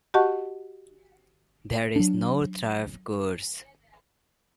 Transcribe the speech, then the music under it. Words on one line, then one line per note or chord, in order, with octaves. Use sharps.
There is no turf course.
F#4 G4 D#5 F#5 A5 C#6
F#3 D4